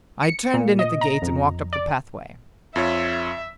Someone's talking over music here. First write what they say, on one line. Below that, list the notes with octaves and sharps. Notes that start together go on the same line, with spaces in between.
I turned in at the gate, and walked up the pathway.
C#7
A#2
D#5
A#5
F2
D5
F2 F4 C#5 E5